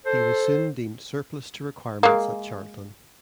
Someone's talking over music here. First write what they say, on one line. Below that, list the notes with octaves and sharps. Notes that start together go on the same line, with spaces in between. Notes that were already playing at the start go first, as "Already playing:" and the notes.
He was soon deemed surplus to requirements at Charlton.
A4 C5
G#3 A#3